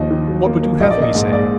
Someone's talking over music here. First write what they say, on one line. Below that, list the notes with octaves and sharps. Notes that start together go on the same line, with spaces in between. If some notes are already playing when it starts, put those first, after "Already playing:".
What would you have me say?'
Already playing: D#2 D#3 F3 D#5
D#3
F#3
A#3
A#3
A#1 D#5
D5
A#3 D#5
G#2
G#2 D5